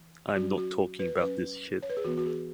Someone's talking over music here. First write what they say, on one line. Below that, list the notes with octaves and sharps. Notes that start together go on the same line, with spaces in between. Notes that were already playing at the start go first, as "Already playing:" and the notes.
I’m not talking about this shit.
Already playing: E3
F#3 C#4 F#4
F#4
B4
F#3 C#4 B4
C#5
B4
G#4
E3 B3 F#4
F#4
G#4